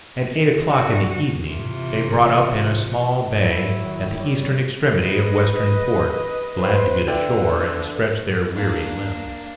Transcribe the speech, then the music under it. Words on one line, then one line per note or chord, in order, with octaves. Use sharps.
At eight o'clock in the evening they brought up in a small bay at the eastern extremity of Western Port, glad to get ashore and stretch their weary limbs.
C3 D4 F#4
C3 E3 F4
F#3 E4
D#3
G3 C#5
B4 D#5
B4 C5
D3 E4 B4 D5 G5
A#3 D4